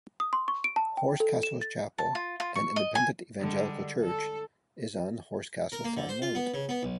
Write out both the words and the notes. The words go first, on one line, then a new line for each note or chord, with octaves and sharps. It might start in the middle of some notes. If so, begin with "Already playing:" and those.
Horsecastle Chapel, an independent evangelical church, is on Horsecastle Farm Road.
D#6
C6
C#6
D7
A5
G5
A4
E7
A6
A5
F4
F4
C#6
D#5
G#5
D3 G3 G#3
A4
A#4
A#3
D3
C5
F4
B3
C#3
B3
B1